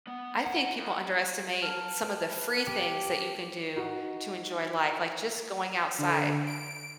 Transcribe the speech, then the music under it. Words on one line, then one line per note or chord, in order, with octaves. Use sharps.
I think people underestimate some of the free things that you can do to enjoy life, like just going outside,
B3
F#5
F2
F#3 A5 F6
B4
G4
D#4 F#4
D3
D7